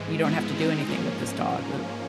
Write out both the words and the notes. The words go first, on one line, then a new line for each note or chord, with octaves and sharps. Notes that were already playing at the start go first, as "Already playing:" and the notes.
you don't have to do anything with this dog. Th
Already playing: G#2 E3 G#3
G#2 F3 G#3 B3 E4
D#3 G#3 C4 D#4
G#2 F3 A#3 C#4